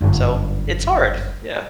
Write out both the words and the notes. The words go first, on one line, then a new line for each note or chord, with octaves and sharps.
So, it's hard! Yeah.
G1 F#2